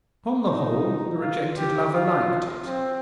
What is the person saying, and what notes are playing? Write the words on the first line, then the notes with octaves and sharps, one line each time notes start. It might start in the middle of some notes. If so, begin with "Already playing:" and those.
Upon the whole the rejected lover liked it.
D#4
F4
G4
F4
C4